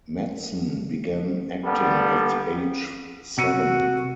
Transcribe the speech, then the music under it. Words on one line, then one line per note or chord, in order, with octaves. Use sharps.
Mattson began acting at age seven.
D3 G3 A#3 B3 A4
C3 F#4 E6 C#7 D#7